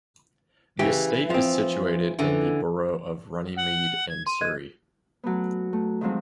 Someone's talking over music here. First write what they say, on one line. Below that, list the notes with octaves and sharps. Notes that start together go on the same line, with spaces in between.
The estate is situated in the Borough of Runnymede in Surrey.
C#3 E3 G4
F3 C4
D3 E3
F#5
G#6
C6 D#7
D#5 F#6 G#6
F#3 A3 B3
A3
D#3 F3 F#3 G#3 C4 D#4